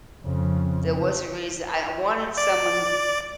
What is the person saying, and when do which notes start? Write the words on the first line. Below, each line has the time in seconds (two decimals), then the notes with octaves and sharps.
There was a reason, I wanted someone
0.24 F2 C#3
2.38 D5